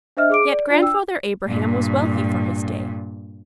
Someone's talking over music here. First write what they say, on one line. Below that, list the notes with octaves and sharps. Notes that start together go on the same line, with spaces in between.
Yet Grandfather Abraham was wealthy for his day.
D4 C5 D#5 E5 F6
G#4 D6 D7
D5
D4 F4 D5
G5 E6
G2 A#2